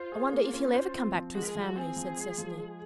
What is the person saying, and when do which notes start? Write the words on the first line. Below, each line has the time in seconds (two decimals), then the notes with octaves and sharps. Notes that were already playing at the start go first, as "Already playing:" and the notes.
"I wonder if he'll ever come back to his family," said Cecily.
Already playing: F4 C5
0.12 G#4
0.32 A#3
0.54 C#4
0.73 C5
0.95 C4
1.14 F3
1.35 G#3 F#4
1.43 A#4
1.49 G#4
1.55 F3
1.62 F#4
1.76 C4 G#4
1.97 F3
2.17 G#3
2.38 F3
2.58 G#3